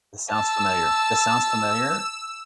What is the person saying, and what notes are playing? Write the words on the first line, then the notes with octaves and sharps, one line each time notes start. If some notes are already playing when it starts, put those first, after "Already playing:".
This sounds familiar. This sounds familiar,
A5 E6